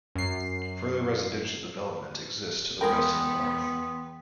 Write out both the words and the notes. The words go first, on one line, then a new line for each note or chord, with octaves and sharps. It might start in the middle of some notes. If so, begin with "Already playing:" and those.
Further residential development exists to the west and north.
F#2 C7
E2 G#3 B3 A#4 G5 B5 C6 D#6